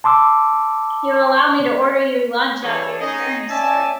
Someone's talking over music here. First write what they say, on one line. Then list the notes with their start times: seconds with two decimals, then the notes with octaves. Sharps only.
You will allow me to order you lunch after your journey, sir.
0.04 A5 C6 D6 E6
2.63 E3 G3 G#4 A4 C#5
3.00 C#4 D#4 G#4 D#5
3.50 C#4 D5 E5 G#5 A5